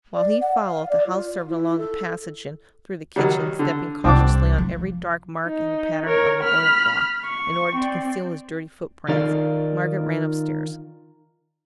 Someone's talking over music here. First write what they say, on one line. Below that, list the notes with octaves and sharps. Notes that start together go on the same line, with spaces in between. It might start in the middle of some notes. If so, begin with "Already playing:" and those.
While he followed the house-servant along the passage, and through the kitchen, stepping cautiously on every dark mark in the pattern of the oil-cloth, in order to conceal his dirty foot-prints, Margaret ran upstairs.
D5
F#5
F5
F5
D5
F4
E4
A4
D#3 F#3 G3
D3
C2 C4 D4 D6
F3
D#4
A#4 C#5
B5 F6
C#6
C4 D5
D#3 D#4 F4 A#4 D5 F5